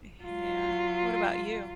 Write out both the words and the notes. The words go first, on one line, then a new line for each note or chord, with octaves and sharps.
y-yeah, what about you?
F#3 F4